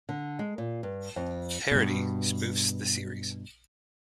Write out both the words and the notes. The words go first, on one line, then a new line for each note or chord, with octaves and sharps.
Parody, spoofs the series.
D3
G#3
A#2
G2
F2
G2 B2